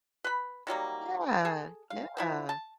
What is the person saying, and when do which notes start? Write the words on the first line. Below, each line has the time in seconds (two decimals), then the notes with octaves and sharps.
Yeah, yeah.
0.24 B4 B5
0.67 D#3 F#3 G3 A#3
1.45 G#4 A4
1.90 F5
2.17 E3 F3 E4
2.49 A5